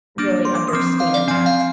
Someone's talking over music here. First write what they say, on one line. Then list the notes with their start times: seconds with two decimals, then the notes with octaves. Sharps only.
really understand that
0.18 G3 A#3 D4 D6
0.45 C6
0.55 D6
0.68 D#6
0.73 F3 C4 D6
0.87 D6
1.00 F5
1.14 D5
1.28 F3 C4 G#5
1.46 F5